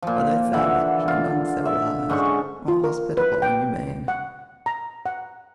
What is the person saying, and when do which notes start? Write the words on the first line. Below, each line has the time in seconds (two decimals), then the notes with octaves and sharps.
Are they savage and uncivilised or hospitable and humane?
0.02 A#2 F3
0.53 D3 E3 E5 F#5
1.08 F4
1.65 E5
2.10 G#2 D3 C#4 C#6
2.68 F4
2.84 A#4
3.17 B4
3.42 G5
4.08 F#5
4.66 A#5
5.06 F#5